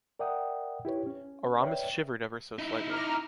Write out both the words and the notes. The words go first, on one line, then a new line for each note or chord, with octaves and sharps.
Aramis shivered ever so slightly.
A#4 D5 E5 F#5 G5 D#6
E4 G4 B4 C#5
C#4
B4 C#5 D5 E5 G5
D#4 E4
A#5 D6 F6